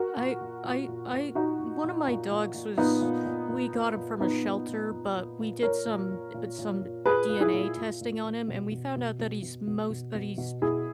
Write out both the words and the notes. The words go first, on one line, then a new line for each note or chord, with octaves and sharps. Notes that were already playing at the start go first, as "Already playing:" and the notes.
I I I one of my dogs was we got him from a shelter, but we did some uh, some DNA testing on him, and we found out that he's most that he's
Already playing: F#4 A#4
A#2
A#2
A#2
A#2
A#2
A#2 D#4 F#4
A#2
A#2
A#2
A#2
A#2
A#2 B3 D#4
A#2
A#2
A#2
A#2
A#2
A#2 B3 D#4
A#2
A#2
A#2
A#2
A#2
A#2 A#4 C#5
A#2
A#2
A#2
A#2
A#2
A#2 G#4 B4
A#2
E4 G#4
A#2
A#2
A#2
A#2
B2
B2
B2
B2
B2
B2
B2
B2
B2
B2 E4 G#4